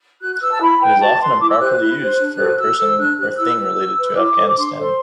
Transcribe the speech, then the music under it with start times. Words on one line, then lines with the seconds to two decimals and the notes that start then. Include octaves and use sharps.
It is often improperly used for a person or thing related to Afghanistan.
0.20 F#4 F#6
0.34 F#6
0.40 B4 E6
0.51 A5
0.61 E4 B5
0.80 B4 G5
1.00 F#4 A5
1.20 B4 C6
1.40 E4 D6
1.49 E6
1.59 G4 C5 F#6
1.69 F#6
1.79 E4
1.99 G4 C5
2.18 D4
2.38 F#4 A4 C5
2.58 F#4 E6
2.78 A4 C5 E6
2.97 D4 F#6
3.17 G4 C5 F#6
3.37 E4 E6
3.57 B4
3.76 F#4
3.96 B4
4.06 E6
4.16 E4 D6
4.36 A4 C5
4.46 D6
4.55 D4 C6
4.76 A4 C5